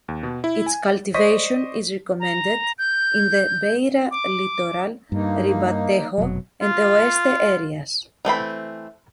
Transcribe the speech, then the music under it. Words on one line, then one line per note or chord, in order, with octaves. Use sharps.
Its cultivation is recommended in the Beira Litoral, Ribatejo and Oeste areas.
D#2
B2
E4
G#5
C5 D5 D#5 C#6 B6
A#5
G6
D6
G2 A#3 D#4
F1 B2 F#3
F4
E3 A3 C4 B5